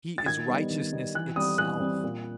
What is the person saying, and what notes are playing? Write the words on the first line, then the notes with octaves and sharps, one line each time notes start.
He is righteousness itself.
A6
D#3 G#6
G3 B3 D#4
D#3
G3 B3 D#4
E3 F#6
G3 C4 D#6
E3 F#6
G3 C4
A#2